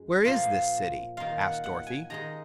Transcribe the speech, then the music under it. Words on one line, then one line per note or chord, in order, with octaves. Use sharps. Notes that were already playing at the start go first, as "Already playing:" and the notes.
"Where is this city?" asked Dorothy.
Already playing: F#2 G#3
A#2 F3 A#3 F4 F5
D#3 A#3 F4 F5
F#5
F#5
G#5
D#3 G#3 D#4 A#5